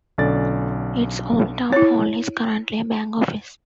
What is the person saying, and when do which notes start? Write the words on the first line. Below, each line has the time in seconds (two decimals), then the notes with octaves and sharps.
Its old town hall is currently a bank office.
0.18 B1 D3 C#4 A4 D5 A6
1.72 E4 C#5